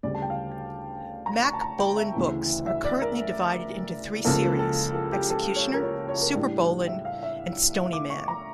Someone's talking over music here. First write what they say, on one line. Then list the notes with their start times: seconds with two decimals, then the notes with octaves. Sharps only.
Mack Bolan books are currently divided into three series: Executioner, SuperBolan, and Stony Man.
0.03 D2 C#3 G3 D5
0.15 A5
0.22 G5
0.30 F5
1.26 A#5
1.44 C#6
1.53 A5
1.61 A#5
1.79 G5
1.96 E5
2.14 D2 C#3 E3
2.67 E5
2.84 D5
3.02 A#4
4.25 C#2 C#3 F3 A#3 A4
4.59 A4
4.95 A4
5.12 G4
5.30 A4
5.56 C#5
5.73 A#4
5.82 C#5
6.09 C#5
6.21 A#4
6.35 A2 G3 D4
6.87 E5
7.05 F5
7.23 E5
7.93 D6
8.10 C#6
8.28 A#5